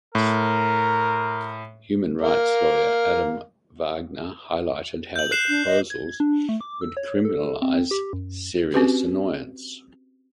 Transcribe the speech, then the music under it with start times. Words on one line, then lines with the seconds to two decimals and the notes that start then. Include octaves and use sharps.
Human rights lawyer Adam Wagner highlighted how the proposals would criminalise "serious annoyance".
0.15 A2 A#4
2.21 A#4 F5
5.16 G6 F#7
5.31 F#6 C7 E7
5.49 D4
5.66 D#5
5.90 G#6
6.20 D4
6.49 A3
6.61 D6
6.81 E6
6.97 C#5
7.25 A4
7.62 C4
7.91 G4
8.13 F#2
8.74 C4 C#4 F#4 G4 B4